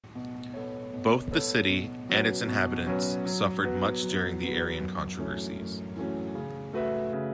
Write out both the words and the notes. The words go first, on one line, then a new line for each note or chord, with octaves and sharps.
Both the city and its inhabitants suffered much during the Arian controversies.
B2
B3 A4 C#5
B2
B3 A4 C#5
B2
F#3 C#4 F#4 B4
B2
F#3 C#4 F#4 B4
F#3
B3 F#4 B4
F#3
B3 F#4 B4
F#2
E3 A3 C#4 F#4
F#2
E3 A3 C#4 F#4
C#3
A3 F#4 B4 E5
C#3